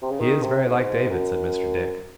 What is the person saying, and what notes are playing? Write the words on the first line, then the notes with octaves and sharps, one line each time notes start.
'He is very like David!' said Mr. Dick.
C3
C#3
D#3
C3
G#2
F#2